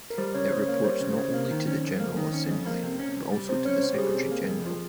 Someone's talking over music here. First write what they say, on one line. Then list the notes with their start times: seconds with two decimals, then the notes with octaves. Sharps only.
It reports not only to the General Assembly, but also to the Secretary-General.
0.10 A#4
0.18 G3 C5
0.34 C#3 C#5
0.51 C#3 C5
0.67 A#3 C#5
0.84 G3 C5
1.00 C#3
1.17 C#3
1.34 A#3
1.50 D#3
1.67 C#4
1.84 F2
2.00 A#3
2.17 D#3
2.33 C#4
2.49 F2
2.66 A#3
2.83 C3
3.00 C#4
3.15 C2
3.32 G3
3.49 C3 C5
3.65 C#4 C#5
3.82 C2 C5
3.94 G4
3.98 G3 G#4
4.14 C3
4.31 A#3
4.48 F2
4.65 F3